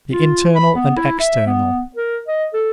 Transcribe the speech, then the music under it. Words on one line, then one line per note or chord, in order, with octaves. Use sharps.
The Internal and External.
F4
B5
B3
E4
E5
B3
A#4
D#5
A4